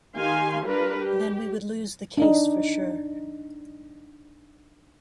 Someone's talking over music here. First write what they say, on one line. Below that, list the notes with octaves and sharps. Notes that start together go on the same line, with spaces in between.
Then we would lose the case for sure.
D#3 G4 F5 G#5 C6
G3 D4 F4 A#4 B4
G4
D4 D#4